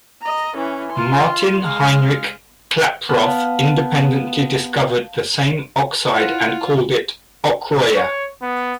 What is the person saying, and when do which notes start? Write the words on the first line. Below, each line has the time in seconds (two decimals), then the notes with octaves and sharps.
Martin Heinrich Klaproth independently discovered the same oxide and called it "ochroia".
0.22 D#5 A#5
0.57 E3 C#4
0.93 F4 C6
1.63 G#3 F5
3.09 B3 F5 A5
6.13 E4 F4 F#5
7.96 C#5
8.43 B3